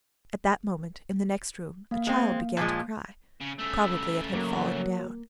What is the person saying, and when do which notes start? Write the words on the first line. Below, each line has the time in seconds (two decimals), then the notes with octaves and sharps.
At that moment in the next room a child began to cry; probably it had fallen down.
1.91 A#3 F5
2.07 G#3 C4
2.57 A#2 F3 G#3
3.41 C#3
3.58 C#3 A3 E6
4.33 F#3 A#3 F#4